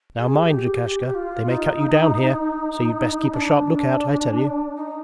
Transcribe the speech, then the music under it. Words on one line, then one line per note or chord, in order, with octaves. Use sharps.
'Now mind, Lukashka--they may cut you down here, so you'd best keep a sharp look-out, I tell you!'
G#4
G4
F4
D#4
D4
D#4